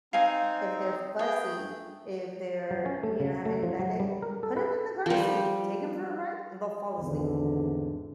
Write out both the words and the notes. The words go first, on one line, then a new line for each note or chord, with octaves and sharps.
if they're fussy, if they're, you know, having a bad day, put 'em in the car seat, take 'em for a ride and they'll fall asleep.
C4 D#4 F5 G#5 A#5
B3 G#4 G5
A3
F#3
C#4
A3
C#3
A3
F3
F#3
G3
A#4
A4
B4
F3 G3
G#1 E2 D3